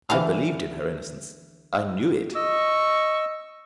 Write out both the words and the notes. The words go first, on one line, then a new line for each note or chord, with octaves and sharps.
I believed in her innocence; I knew it.
D3 E3 F5
D#5 C#6 E6